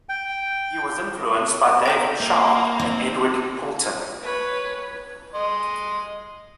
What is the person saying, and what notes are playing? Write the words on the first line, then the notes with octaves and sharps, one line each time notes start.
He was influenced by David Sharp and Edward Poulton.
G5
B3 G5 A#5 G6
A#3 E5
C4 D#4
B4 C#5
D#5 C6